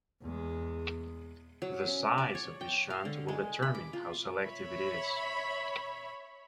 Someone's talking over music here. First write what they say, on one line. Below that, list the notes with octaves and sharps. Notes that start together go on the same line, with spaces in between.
The size of this shunt will determine how selective it is.
E2 G#3
F#3
C#4
D5
C#5
G5
F5
D3
G#3
B5
D6
F4
C#5 E5 B5